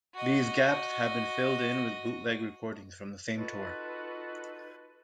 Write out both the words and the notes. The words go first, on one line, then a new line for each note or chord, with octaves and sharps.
These gaps have been filled in with bootleg recordings from the same tour.
F#4 D#5
D#4 F4 F#4 A4 B4